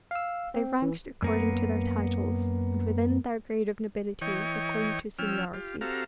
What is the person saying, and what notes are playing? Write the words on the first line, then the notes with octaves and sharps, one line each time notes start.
They ranked according to their titles, and within their grade of nobility according to seniority.
F5 E6
C4
E3
F#2 A#3 B3
E3 C#5 D#5 G5 C#6
F3 C#4 G5 E6 F6
F4 G4
C4 F#4 G4 A4 F5 A#5